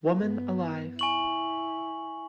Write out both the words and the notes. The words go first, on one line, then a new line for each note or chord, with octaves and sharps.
Woman Alive!
G2 B3
E4 G#5 C#6 F#7